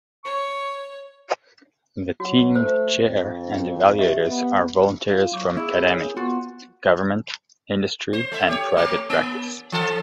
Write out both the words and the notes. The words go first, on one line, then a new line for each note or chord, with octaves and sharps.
The team chair and evaluators are volunteers from academe, government, industry, and private practice.
C#5 C#6
F#3 F#4
A3 C5
F2
G4 D#5 E5
B3
F4 F5
F#3 C#6 D6
E4 G#4
A#4 C#5 G#5
B3 F4 F#4
C5
A3 E5
G4 C#5
A3
A#3
E3 F3 A4